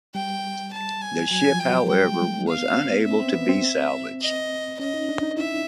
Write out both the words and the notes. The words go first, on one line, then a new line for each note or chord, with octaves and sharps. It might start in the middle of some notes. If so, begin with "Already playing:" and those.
The ship however, was unable to be salvaged.
G3 G5
A5
G#5
F#3 G#5
F3
G5
F#3
G3 G5
G#3
A3
B3 F5
C4
B3
C#4 E5
C4
B3
C4
D#5
C#4 D#5
D#4
D4
D#4
E4 E5